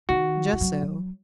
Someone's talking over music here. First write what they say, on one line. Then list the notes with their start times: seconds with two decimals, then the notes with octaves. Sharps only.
"Just so."
0.09 D#3 F#4
0.53 E3
0.61 F#3